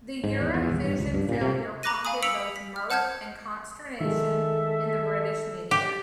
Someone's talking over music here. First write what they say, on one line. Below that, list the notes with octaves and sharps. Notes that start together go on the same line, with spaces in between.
The Eurovision failure prompted both mirth and consternation in the British media.
G#2
E2
E2
D#1
G2
C#2
G2
A#2
C3
A#5 B5 D6 F#6 A#6 D#7
F5 G#5 B5 D#6
E6 B6 C#7 D7 F7 F#7
B6
F6
C5 F#5 A5 F6 G6 G#6
D#3 G#3 A4 E5
G4